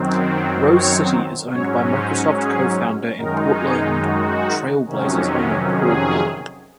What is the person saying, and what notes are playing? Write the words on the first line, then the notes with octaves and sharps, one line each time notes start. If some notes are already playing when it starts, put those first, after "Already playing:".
Rose City is owned by Microsoft co-founder and Portland Trail Blazers owner Paul Allen.
Already playing: F#2 D#3 F#3 C4
C#5
G#2 F#3 C#4 C#5
C5
G#4
F#2 D#3 G#3 D#4 A#4
G#4
F#4
F2 C3 D#3 F#3 C#4
G#4